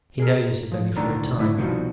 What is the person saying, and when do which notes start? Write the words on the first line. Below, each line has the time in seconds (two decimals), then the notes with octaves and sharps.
He knows it is only for a time.
0.20 G#4 A#4
0.72 F3
0.96 D2 A2 D3 D#3 D4 A#5
1.38 D3 A3 E4
1.57 C2 B2 F3 G3 D#4 F#4